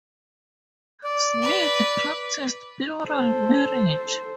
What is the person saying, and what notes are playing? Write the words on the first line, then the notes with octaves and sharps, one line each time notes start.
Smith practiced plural marriage.
D5
B4
A4 C5